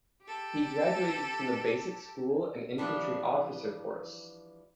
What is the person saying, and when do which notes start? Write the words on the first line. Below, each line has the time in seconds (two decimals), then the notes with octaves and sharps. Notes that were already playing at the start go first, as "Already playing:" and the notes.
He graduated from the Basic School and Infantry Officer Course.
0.23 G4 A4
2.78 E3 F3 G3 D4